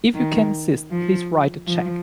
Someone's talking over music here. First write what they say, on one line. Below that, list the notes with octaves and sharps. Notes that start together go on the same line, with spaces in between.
If you can assist, please write a cheque.
D#3
F3
F3